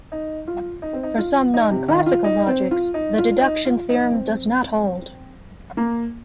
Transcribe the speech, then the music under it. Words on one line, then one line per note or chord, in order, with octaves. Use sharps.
For some non-classical logics, the deduction theorem does not hold.
D#4
F4
D#4
C4
D#4
F4
D#4
C3
D#3
F4
D#4
C4
F4
D#4
F4
D#4
F4
D#4
C4
A#3